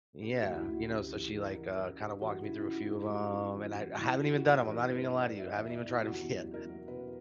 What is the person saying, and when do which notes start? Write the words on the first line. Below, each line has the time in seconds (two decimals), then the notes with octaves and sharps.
Yeah, you know? So, she, like, uh, kinda walked me through a few of 'em, and I I haven't even done 'em, I'm not even gonna lie to you, I haven't even tried 'em yet.
0.22 C#3 G4
0.39 D2 F#4
0.56 E4
0.67 D2 F#4
0.89 C#3 G4
1.04 G4
1.11 E3
1.33 E3
1.38 A#4
1.54 E3 A#4
1.76 E3 A#4
1.99 C#3 G4
2.21 E3 F#4
2.44 C#3 E4
2.61 E4
2.65 C#3 F#4
2.88 G2 E4
3.01 G4
3.10 G2 F#4
3.32 G2 E4
3.50 E4
3.55 E3 F#4
3.76 E3 F#4
3.98 E3 E4
4.15 E4
4.20 E3 F#4
4.38 F#4
4.43 G2
4.54 G4
4.65 E3 G4
4.71 A#4
4.87 G2 B4
5.04 B4
5.10 G2
5.21 D5
5.31 G2
5.38 E5
5.47 D5
5.54 E2 E5
5.70 D5
5.77 B2
5.87 E4
5.98 B2
6.04 F#4
6.20 E2 G4
6.43 F#3
6.54 A#4
6.65 F#3
6.88 B2 B4